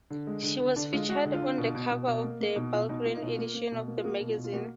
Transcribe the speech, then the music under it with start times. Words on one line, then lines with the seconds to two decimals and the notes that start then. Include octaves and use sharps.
She was featured on the cover of the Bulgarian edition of the magazine.
0.10 D3
0.27 G#3
0.43 D3
0.60 D3 B3
0.76 D3 D4
0.93 G#3 F4
1.09 G#3 F#4
1.25 D3
1.34 F4
1.42 D3
1.58 B2
1.75 B2
1.91 B2
2.07 B2
2.24 A#3
2.41 A#3
2.56 B2 D#4
2.73 B2 F4
2.89 B2 D#4
3.06 A#3 F4
3.16 D#4
3.22 B2 F4
3.39 A#3
3.54 A#3
3.72 B2
3.88 A#3
3.97 F4
4.04 A#3 F#4
4.21 B2
4.29 F4
4.38 B2
4.44 F4
4.53 A#3 F#4